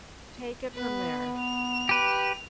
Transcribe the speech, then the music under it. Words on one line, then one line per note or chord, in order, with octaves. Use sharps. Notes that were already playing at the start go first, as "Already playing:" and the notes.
take it from there.
B3 B4
F7
G4 B4